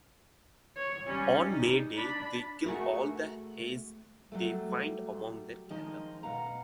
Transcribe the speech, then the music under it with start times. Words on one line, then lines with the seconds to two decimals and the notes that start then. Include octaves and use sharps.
On May Day they kill all the hares they find among their cattle.
0.76 C#5
1.06 G3 C#4
1.50 D#4
1.95 D4 B5
2.66 A3 F#4 G#4 A#4
4.32 F#3 G3 A3
5.70 D#3 F3 G#3 D#4 A#4 D#5
6.23 B2 F5 F#5 A#5